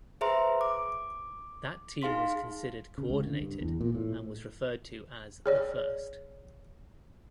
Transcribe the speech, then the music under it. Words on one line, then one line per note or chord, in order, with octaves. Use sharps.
That team was considered coordinated and was referred to as "the first".
G#4 B4 C5 E5 A#5 C6
D6
D#4 G#4 F5 C6 B6
C#3
C#2
D3
G2
E2
A#2
A2
G#4 C#5 D5